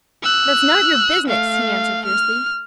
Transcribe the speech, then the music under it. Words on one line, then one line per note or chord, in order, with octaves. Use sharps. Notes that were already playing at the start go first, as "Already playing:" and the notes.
"That's none of your business," he answered, fiercely.
E6 F#6
A3 F5
F6